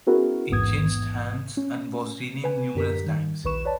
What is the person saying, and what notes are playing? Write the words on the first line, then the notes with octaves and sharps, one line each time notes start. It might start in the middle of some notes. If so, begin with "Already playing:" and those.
It changed hands and was renamed numerous times.
B3 C#4 E4 F#4 G#4 A#4
A1 E2 G#2 B3 D#6 G#6
C#4
B4 G#5
F#2 D3 G4 A#4 B6
D#3 G3
A#1 D#2 B4 C#6 E7
B4 C#5 D5 A5